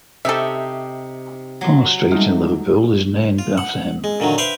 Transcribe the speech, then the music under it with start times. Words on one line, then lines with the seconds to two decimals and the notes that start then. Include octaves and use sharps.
Parr Street in Liverpool is named after him.
0.25 C3 D#4 G4 A4 E5
1.61 F#3 C6 A#6
2.12 G#2 G3 A3 D#4
3.39 F4
3.58 F#5
4.04 G#3
4.20 A#2 D3 D#3 F#3
4.38 B4 C5 E5 F5 G5 B5